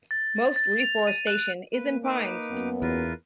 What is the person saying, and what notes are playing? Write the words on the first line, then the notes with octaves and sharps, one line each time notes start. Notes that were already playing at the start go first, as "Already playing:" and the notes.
Most reforestation is in pines.
A6
A6
F7
D#7
F#6
A#3 B4
D#4 B4 D6
F#2 B3
E2 F4 A#4 B4